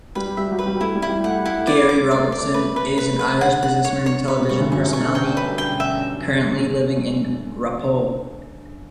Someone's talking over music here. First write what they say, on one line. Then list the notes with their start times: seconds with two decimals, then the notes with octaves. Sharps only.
Gerry Robinson is an Irish businessman and television personality currently living in Raphoe.
0.15 G3 G4 B4
0.37 G3 G4 E5
0.51 F#3 F#4
0.59 B4
0.66 G3 G4
0.80 A3 E4 A4
0.95 G3 G4
1.02 E4
1.09 G3 G4
1.24 A3 A4 F#5
1.46 E4
1.67 B3 B4 D5
1.89 D6
2.11 A3 A4 D5
2.25 A3 A4
2.32 D5
2.40 A3 A4
2.54 A3 A4 B4
2.76 B4
2.98 B4
3.19 B4
3.41 D3 D4 F#5
3.63 F#5
3.84 C#5
4.06 C#5
4.28 C#3 C#4 B4
4.39 B2 B3
4.49 G2 G3 C#6
4.60 D2 D3
4.71 F#2 F#3 C#6
4.86 C#3 C#4
4.93 C#6
5.00 D3 D4
5.15 G5
5.37 B4
5.58 G5
5.80 E5